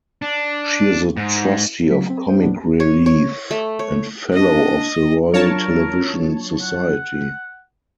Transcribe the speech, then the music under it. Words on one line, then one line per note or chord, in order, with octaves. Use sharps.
She is a trustee of Comic Relief and fellow of the Royal Television Society.
D4
G#2
F#3 B6
C4
C5 G5
A#2 F#3 B3 D4
C#5
C#5
A3
C#5
D4 D#5
F#3 D4 F4 A#4 C#5 A5
F#5